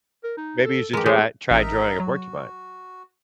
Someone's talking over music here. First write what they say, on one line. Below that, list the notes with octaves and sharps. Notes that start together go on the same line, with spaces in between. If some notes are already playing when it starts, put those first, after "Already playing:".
Maybe you should dry try drawing a porcupine,
A#4
D#4
A4
E3 G#3 G4 A#4
G#3 G4 G#4 C5
A1 D#4 A#4 E5
F#3 F#4